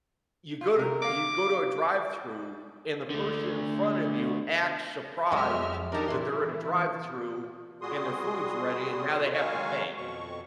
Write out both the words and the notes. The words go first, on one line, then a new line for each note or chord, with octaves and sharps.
you go to you go to a drive-thru and the person in front of you acts surprised that they're at a drive-thru and their food's ready and now they have to pay.
F4
C3 A#4
A#3 F5 D6
D3 A3
F2 F#3 G#3 D#5 E5 F6
D4 D#4 G4 A#4 A5
A#2 E3 E4 C6
A#2 G3 F#4 G#4 C6 D#6
D#3 F#3 G#3 F5 G#5 C#6
F2 B2 C#6